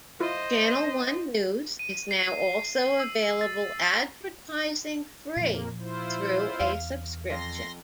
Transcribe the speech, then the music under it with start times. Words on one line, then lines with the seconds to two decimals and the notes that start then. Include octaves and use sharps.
Channel One News is now also available advertising-free through a subscription.
0.20 E4 F4 C5 D#5
1.79 D#7
2.11 C7
3.00 E6
3.41 A6
3.84 A6
5.36 F2 A#2 F3 A#3
5.80 E4 F4 C5
6.60 E2 F5
7.30 F2 C6 A#6